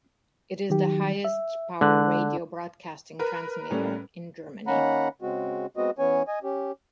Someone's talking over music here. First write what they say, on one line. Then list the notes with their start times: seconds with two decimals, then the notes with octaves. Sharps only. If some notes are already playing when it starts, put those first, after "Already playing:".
It is the highest power radio broadcasting transmitter in Germany.
0.70 D#3 F#3 G4
1.25 E5
1.81 D3 G#3 F#6
3.19 A#4 B4
3.71 A2 G3 C#4
4.67 D#3 A#3 C#4 F#5 A#5 B5
5.22 C#3 G#3 C4 F#4
5.77 G#3 B3 C4 F#4 D#5
5.99 E3 B3 C#4 C#5 G#5
6.28 D#5 G#5
6.43 C#4 G4